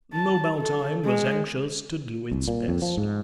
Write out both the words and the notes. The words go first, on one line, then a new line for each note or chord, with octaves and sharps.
Knobaltheim was anxious to do its best.
A5
A4
G#3
C2
A#2
F2
F3
G#2